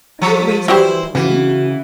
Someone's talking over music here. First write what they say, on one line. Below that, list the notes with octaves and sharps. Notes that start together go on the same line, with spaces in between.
"Are you raising a rebellion?"
F3 G3
E3 F#3 G3 E4 C5
C#3 E3 F#4